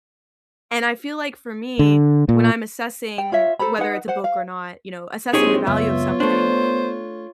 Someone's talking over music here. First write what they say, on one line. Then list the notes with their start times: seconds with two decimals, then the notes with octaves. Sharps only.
and I feel like for me, when I'm assessing whether it's a book or not, you know, assessing the value of something
1.79 D3
2.29 A#2
3.18 G5
3.32 F4 C#5 E5
3.59 A4 C5 A#5 B5
3.79 D#4 B4 F#5
4.08 C5 F#5
4.24 F5
5.33 A#1 G#3 C4 D#4 G4 G#4 C#5
5.67 C#2 F#2 B3 F4 C#5 E5
6.20 A3 D4 C5